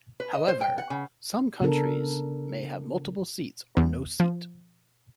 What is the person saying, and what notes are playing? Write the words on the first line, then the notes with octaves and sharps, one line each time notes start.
However, some counties may have multiple seats or no seat.
B4
D#5
C5
G5
F#5
C#3
C#3 B3 D4 A4 A#4
E2
F3